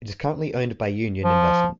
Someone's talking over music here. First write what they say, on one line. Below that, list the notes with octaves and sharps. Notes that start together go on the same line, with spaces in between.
It is currently owned by Union Investment.
F3